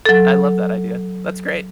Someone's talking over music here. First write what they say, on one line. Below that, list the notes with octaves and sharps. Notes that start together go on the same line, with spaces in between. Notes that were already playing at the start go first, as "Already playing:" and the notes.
I love that idea. That's great.
F#3 A4